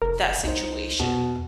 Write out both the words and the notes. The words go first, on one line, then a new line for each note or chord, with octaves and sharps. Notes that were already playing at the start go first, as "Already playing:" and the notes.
that situation?
F1 A#4
C2 D#4 C5
E2 B2